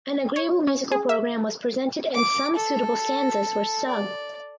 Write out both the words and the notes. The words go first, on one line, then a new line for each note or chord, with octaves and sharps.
An agreeable musical program was presented and some suitable stanzas were sung.
C#5
C#4
G#4
E5
D6
A4
D5